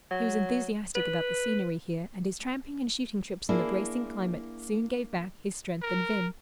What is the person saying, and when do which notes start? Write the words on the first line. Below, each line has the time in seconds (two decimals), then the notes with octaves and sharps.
He was enthusiastic about the scenery here, and his tramping and shooting trips in the bracing climate soon gave back his strength and vim.
0.11 F#3
0.95 B4
3.49 A#3 D4 E4 G#4
5.82 A#4